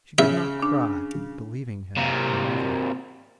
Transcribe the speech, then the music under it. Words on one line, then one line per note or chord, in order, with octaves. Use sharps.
She did not cry, believing him her mother.
C#3 E5
D4
C3 A#3